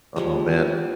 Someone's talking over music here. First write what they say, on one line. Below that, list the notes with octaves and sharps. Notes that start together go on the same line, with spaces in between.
Oh, man.
F3 G3 G#3